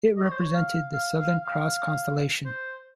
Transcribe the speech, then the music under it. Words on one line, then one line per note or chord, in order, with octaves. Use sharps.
It represented the Southern Cross constellation.
D#5
C#5
C5
C#5
F5
F5
F5
F5
C5